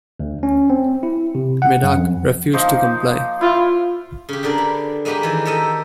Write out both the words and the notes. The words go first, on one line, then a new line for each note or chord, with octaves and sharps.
Medak refused to comply.
D2
C#4
C4
E4
C3
F#5
F#2
F2
F3 A#3 D#4
E4 F4
C#3 G4
D3 B3 A#4 D5
B5
G#3 A#3 B3 G4 B4 B5
D#3 E3
G4 A4 A#4 D#5